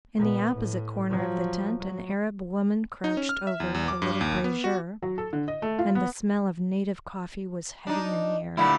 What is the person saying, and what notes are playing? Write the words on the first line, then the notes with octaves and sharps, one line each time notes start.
In the opposite corner of the tent an Arab woman crouched over a little brazier, and the smell of native coffee was heavy in the air.
A#2 B3
A2
F3 F#3
F#3
D#4
C#4
F6
E5
E2
E2
D6
G2
D#2
B3
F#4
F#3
A4
D3
D#5
A3
F4
B3
D4 D#4
D2 A#2 G3 E4 F#5 B5